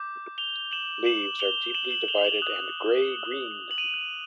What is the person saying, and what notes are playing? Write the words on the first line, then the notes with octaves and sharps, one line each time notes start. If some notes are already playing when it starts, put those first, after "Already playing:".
Leaves are deeply divided and grey-green.
Already playing: D6 G6
F7 G7
E7 F#7
E7 F#7
F7 G7
E7 F#7
E7 F#7
F7 G7
F7
E7 F#7
D#6 F#6
F#7
D#7 F7